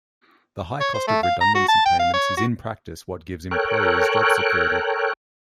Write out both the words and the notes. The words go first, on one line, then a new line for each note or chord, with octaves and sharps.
The high cost of redundancy payments is in practice what gives employees job security.
C#5
C5
A3
F5
A#5
F#4
A5
G5
F5
C#5
F#4
A4 A#4 C#5 G5 F#6